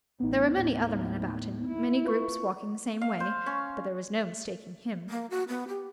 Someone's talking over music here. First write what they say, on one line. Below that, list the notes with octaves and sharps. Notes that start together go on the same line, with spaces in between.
There were many other men about him, many groups walking the same way, but there was no mistaking him.
A1 B3 D#4
D#2 A2
E4
F4 B4 C#6
F5
C5
C#4
A#3
F#4
B3
G4